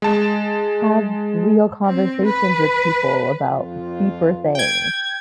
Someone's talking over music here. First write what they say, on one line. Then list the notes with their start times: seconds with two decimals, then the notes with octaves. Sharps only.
have real conversations with people about deeper things?"
0.02 G#3 A5
1.85 C4
2.26 B4
3.50 F2 F4
4.55 G5 G#6